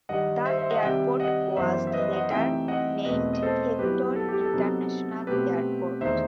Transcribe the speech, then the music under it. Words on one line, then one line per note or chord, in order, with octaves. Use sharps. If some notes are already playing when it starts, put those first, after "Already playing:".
The airport was later named Hector International Airport.
G2 D#3 G3 D#5 F#5
C5 E5
C5 E5
D#5 F#5
C3 D#3 G3 E5 G5
D#5 F#5
F#2 E3 B3 C5 E5
E5
B4 D#5
D#5 F#5
C3 E3 A3 C4 D#4 E5 G5
D#5 F#5
E2 B2 A3 C4 B4 D#5
D#5
A4 C5
G2 F#3 B3 E4 G4 B4
A4
G4
A4
C3 F#3 B3 D#4
B2 A3 C4 G4 B4
E2 D#3 A3 D#4 C5 E5